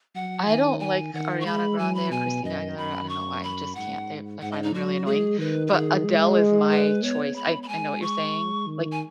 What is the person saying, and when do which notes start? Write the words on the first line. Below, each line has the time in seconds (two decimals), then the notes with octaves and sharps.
I don't like Ariana Grande or Christina Aguilera, I don't know why, I just can't, they I find them really annoying, but Adele is my choice, I c I know what you're saying, like,
0.15 F#3 F#5
0.48 D#3 G#5
0.80 G#5
1.14 D#3 F#5
1.41 C#6
1.46 G#3 B5
1.78 F#3 G#5
1.95 B5
2.11 B2 G#5
2.44 F#2 D#5
2.77 F#2 B5
3.09 C#6
3.43 B5
3.75 G#2 F#5
4.41 G#2 F#5
4.52 D#5
4.63 D#4
4.73 F#3 F#4
5.06 G#3 G#4
5.39 D#3 B4
5.67 B4
5.72 D#3 G#4
6.04 G#3
6.70 B4
7.03 B3 C#5
7.36 B3 B5
7.63 B5
7.68 G#3 G#5
8.02 C#6
8.67 D#3
8.92 G#5